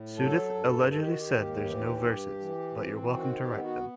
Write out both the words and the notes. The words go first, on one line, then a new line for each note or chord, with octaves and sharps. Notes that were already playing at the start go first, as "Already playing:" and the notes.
Sudduth allegedly said There's no verses, but you're welcome to write them.
Already playing: A2
F#3 A4
G2
D#3 A4
G4
F#4
G4
D#2
E3
G2
E3
C4
D#3 F#4
G4
B3
F#4